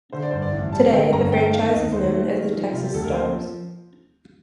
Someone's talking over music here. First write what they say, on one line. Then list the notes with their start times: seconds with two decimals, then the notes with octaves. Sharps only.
Today, the franchise is known as the Texas Stars.
0.13 D3 C5
0.22 D5
0.31 G2 C5
0.42 D5
0.53 A1
0.72 G3 A5
0.92 D3 G5
1.12 G2 A#5
1.32 A3 G5
1.52 D#3 F5
1.73 D#2 D#5
1.93 D#2 C5
2.13 A3
2.34 D#3
2.53 F3
2.72 C3 F4
2.84 G4
2.93 D2 A4
3.04 A#4
3.14 A#3 C5
3.33 F3